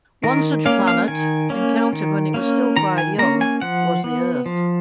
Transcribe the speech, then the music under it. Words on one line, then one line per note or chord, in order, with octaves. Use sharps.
One such planet, encountered when it was still quite young, was the Earth.
D#3 A#4
A#3 C#4 F5
F5
D#3 G#5
A#3 C#4
D#3
A#3 C#4
D#3 A#5
G#5
A#3 C#4 A#5
G#5
F3 F#5
B3
F3